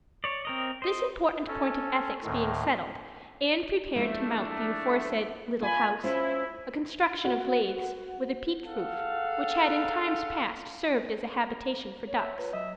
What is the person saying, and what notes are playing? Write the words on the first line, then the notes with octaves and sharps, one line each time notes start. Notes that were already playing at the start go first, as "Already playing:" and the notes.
This important point of ethics being settled, Anne prepared to mount the aforesaid "little house," a construction of lathes, with a peaked roof, which had in times past served as a habitation for ducks.
C#5 D5
C4 A#4 D#5
C5 D#5
C#4 A4
D2 A2 D#3
F3 G#3 A3 D4 E4
F4 G#5 B5
C#4 E4 F4 C5
F#4
G#4 A4 F5 F#5
C#5
E5
F4 B4
F#3 D#5 E5